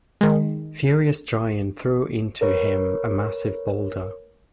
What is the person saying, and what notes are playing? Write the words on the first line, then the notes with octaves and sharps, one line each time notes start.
Furious giant threw into him a massive boulder.
D#3 G#3
A#4 B4 C#5